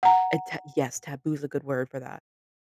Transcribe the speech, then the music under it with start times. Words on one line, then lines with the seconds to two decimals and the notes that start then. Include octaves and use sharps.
Eh, ta Yes, taboo's good word for that,
0.03 F#5 A#5